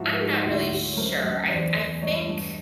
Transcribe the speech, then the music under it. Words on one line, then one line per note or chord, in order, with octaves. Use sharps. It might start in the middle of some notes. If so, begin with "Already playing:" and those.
I'm not really sure. I th I think,
Already playing: G#2 F3 E4 F#4
G#2
D2 E4 F#4
D2
C#5
F#2 A#4 C5
F#2
E2 C5 D5
E2
G2 C#5 D#5
G2